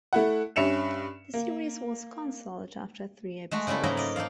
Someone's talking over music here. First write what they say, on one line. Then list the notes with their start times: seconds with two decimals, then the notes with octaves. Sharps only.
The series was canceled after three episodes.
0.13 A3 E4 F#5
0.56 G2 C#4 E5 C#7 E7 F7
1.34 A#3
3.51 G#3 A3 F#4
3.67 C#3 G3 A3 E4 A4
3.83 G#2 F#3 A#3 E4 D#5 A#5
3.97 D5 D#5
4.16 D#4 A4 D5 F5